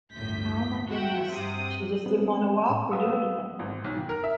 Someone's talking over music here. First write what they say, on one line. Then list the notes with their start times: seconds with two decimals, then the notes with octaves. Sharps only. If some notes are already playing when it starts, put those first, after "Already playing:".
Oh my goodness. She just didn't wanna walk or do anything, huh?
0.14 G1 D2 A2 G6 B6
0.89 F#4 E5 F#5 G5
1.29 G2 C3 D#6
2.06 F#3 G3 B3 C4 D4
2.69 A2
2.91 B4 F5 F#5 D#6 E6
3.59 G#1
3.84 B1
3.96 D#3
4.09 A#4
4.24 E5